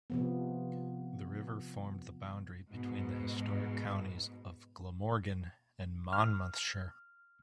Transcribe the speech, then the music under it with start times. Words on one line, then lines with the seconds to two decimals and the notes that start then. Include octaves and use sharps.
The river formed the boundary between the historic counties of Glamorgan and Monmouthshire.
0.10 C3 F3 B3
2.70 G#2 B2
6.13 F6